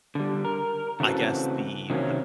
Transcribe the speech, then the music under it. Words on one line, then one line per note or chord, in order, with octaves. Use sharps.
I guess, the the
D3 G3
A#4
C#3 E3 A3 C4 F#4 A4
C3 D#3 F#3 A#3 C4 C#4